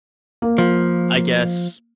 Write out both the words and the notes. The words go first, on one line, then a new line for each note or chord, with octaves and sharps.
I guess,
A#3
F3